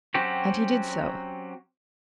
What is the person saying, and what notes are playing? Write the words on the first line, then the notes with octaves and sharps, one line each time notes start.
And he did so.
F#3 C4 C#4 F#4 G4